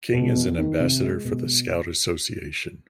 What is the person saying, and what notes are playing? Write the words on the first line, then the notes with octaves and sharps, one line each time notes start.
King is an ambassador for The Scout Association.
B2
E2
D#3
C3
G#3
B2